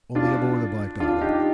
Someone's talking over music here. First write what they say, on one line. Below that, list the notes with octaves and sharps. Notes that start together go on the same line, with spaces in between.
'Only aboard the Black Diamond.
D4 F4
D4 F4
D#4 G4